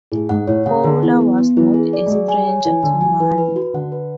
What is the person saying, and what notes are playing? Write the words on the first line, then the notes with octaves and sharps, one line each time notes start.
Fowler was not a stranger to money.
A2 G#4
G#2 F#5
A2 C#5
C#3 F#5
D3 G#4
E3 B3
B3
B3
E3 E4
G#4
D5
G#3
F#3 G#4
G#5
C#5
E3 G#5
D3 G#5
F#3 G#5
E3 B4
B4
F#4
D3 F#5
B4